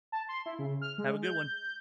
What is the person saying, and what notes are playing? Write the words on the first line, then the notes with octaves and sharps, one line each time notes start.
Have a good one.
A5
C6
E4
C#3
F6
G#3
G6